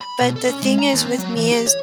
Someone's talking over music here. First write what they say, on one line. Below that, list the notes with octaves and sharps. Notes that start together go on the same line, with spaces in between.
But the thing is with me is
B5
B2
A4
C#4
G#3
A#5
D#2
C4
F#3
E3
G4
C#5